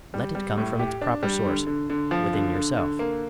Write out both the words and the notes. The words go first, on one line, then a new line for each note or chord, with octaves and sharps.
Let it come from its proper source--within yourself.
G3
G3
A2
G4
D4
G3
D3
D3
D3
F3
D3
D3
D3
A#3